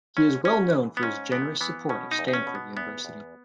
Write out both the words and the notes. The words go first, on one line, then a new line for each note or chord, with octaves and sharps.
He is well known for his generous support of Stanford University.
G#2 C#4
G#2 C#4
E3
B3
G#2 C#4
E3 B3
E3 B3
B2 C#4
D#4
E2
D#4
C#4
B2
B3
E2 B3
E2